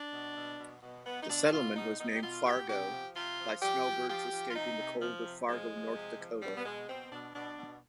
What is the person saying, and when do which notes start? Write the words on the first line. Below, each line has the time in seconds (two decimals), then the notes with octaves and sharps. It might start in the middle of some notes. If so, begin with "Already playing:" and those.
The settlement was named Fargo by snowbirds escaping the cold of Fargo, North Dakota.
Already playing: D4
0.13 B2
0.36 B2
0.59 B2
0.82 B2
1.06 B2 B3
1.22 D#4
1.29 B2 D4
1.53 B2 F4
1.76 B2 D#4
2.00 B2 D#4
2.15 G4
2.23 B2 F4
2.46 B2 G4
2.69 C3 G4
2.92 F3
3.15 C3 F4
3.39 F3
3.62 F3 G4
3.86 F3
4.09 F3 G4
4.32 F3
4.50 F4
4.56 C3 D#4
4.79 C3
5.02 F3
5.25 C3
5.49 F3 G#3
5.73 F3
5.95 C3
6.18 F3
6.42 B2 G3
6.56 B3
6.65 B2 G#3
6.88 B2 C4
7.12 B2 D4
7.35 B2 D4
7.58 B2